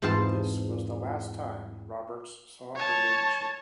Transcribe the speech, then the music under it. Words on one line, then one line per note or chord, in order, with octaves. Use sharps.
This was the last time Roberts saw her Ladyship.
E2 G#2 C4 F4 C5 A5
C#5 A5